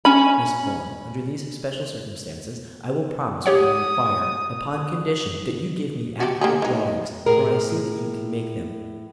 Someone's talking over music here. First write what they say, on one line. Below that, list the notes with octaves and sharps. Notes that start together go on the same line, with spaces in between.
"Miss Vaughan, under these special circumstances, I will promise what you require; upon condition that you give me accurate drawings, for I see that you can make them."
C#4 B5
G4 C#5 F#5 D#6
F#4 G4
A#3 G4 G#4
G#3 D#4
A2 G#4 A#4